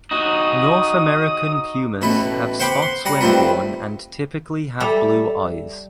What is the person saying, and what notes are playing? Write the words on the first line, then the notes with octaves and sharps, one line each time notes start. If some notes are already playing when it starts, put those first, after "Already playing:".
North American pumas have spots when born and typically have blue eyes.
D#4 F#4 D#6
A1 B2 A3 B4
C5 F#5 G5 B5 D6
C6
G3 F#5 A#5 D6
D#3 G3 A3 C4 F4 B4
G3 A4 E5 A#5